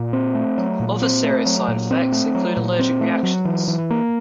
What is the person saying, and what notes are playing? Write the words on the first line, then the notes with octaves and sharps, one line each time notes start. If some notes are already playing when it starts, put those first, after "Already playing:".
Other serious side effects include allergic reactions.
Already playing: A#2
C4
A3
F#3
A#2
C4
A3
F#3
A#2
C4
A3
F#3
A#2
C4
A3
F#3
E3
E3
A#3